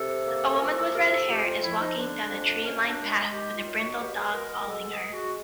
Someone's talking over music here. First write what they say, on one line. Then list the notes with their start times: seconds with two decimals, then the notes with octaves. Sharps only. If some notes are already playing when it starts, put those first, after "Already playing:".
A woman with redhair is walking down a tree lined path with a brindled dog following her.
Already playing: C3 A4
0.26 A#3
0.57 A#4
0.60 F3 A4
0.77 A4
0.94 C3 A#4
1.11 A4
1.28 F2 G4
1.44 F4
1.61 F3 E4
1.80 D#4
1.96 D3 D4
2.30 F2
2.63 F#2 C#4
2.87 D4
2.98 G#3
3.31 D#3 G4
3.54 F4
3.66 F#2
3.77 F#4
3.99 B2 G4
4.16 G#4
4.33 B2 A#4
4.50 A#4
4.68 G#3 A4
4.91 G#4
5.01 G#3
5.13 F#4